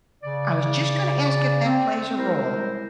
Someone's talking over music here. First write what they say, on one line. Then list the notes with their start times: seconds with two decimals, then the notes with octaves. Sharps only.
I was just gonna ask if that plays a role.
0.24 C#3 D5
1.65 C4
2.17 G3 G#3 E4 A#4 C5